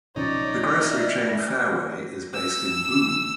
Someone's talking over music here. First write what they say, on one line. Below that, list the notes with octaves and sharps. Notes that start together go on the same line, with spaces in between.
The grocery chain Fareway is based in Boone.
B1 C#3 F3 D#4 C#5 D5
D5 E5
E6